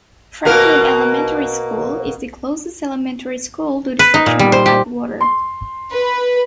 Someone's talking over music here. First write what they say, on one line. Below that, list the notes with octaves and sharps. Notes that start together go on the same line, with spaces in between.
Franklin Elementary School is the closest elementary school to the section of Atwater.
B2 A#3 A#4
B4
D#4
A#2
G3
C5
G4
C6
B4